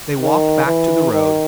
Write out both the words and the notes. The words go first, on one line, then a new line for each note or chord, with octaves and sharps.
They walked back to the road.
D#3
E3
D#3